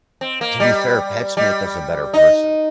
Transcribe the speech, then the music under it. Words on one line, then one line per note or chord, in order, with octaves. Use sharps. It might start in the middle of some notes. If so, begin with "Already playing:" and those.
To be fair, pets make us a better person.
C4
A#3
G3
G3
D#4